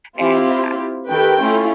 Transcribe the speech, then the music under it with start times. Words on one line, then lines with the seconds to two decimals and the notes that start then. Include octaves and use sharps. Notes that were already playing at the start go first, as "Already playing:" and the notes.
and, uh
0.17 C4 E4 F4 G4
1.09 D#3 G4 A4 B4 G5
1.42 A3 C#4 E4 F4